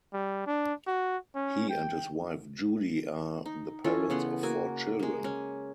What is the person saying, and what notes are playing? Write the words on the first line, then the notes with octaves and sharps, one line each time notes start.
He and his wife Judy are the parents of four children.
G3
D4
F#4
C#4
G5
D#4
E3 C#4 F4 A4
C#3 B3 F#5 C6
A#3 F#4 G#5
G#3 A#3
C#4